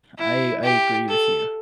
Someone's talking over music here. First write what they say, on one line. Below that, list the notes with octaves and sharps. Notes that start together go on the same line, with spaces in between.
I I I agree with you.
E4
G4
A4